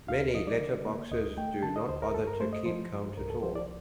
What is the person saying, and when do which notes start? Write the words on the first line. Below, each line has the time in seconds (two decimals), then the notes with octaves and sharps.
Many letterboxers do not bother to keep count at all.
0.08 D2 F5
0.34 F3 D#5
0.47 D5
0.60 D3
0.86 A#3
1.12 D2 D#5
1.37 A3 G5
1.63 D3 A5
1.76 D#5
1.89 D2 C5
2.02 A#4
2.14 G2 A4
2.27 A#4
2.40 A3 C5
2.53 D#5
2.66 F3 C5
2.92 G2
3.17 C2 A#4
3.30 A4
3.42 F3 C5
3.56 D5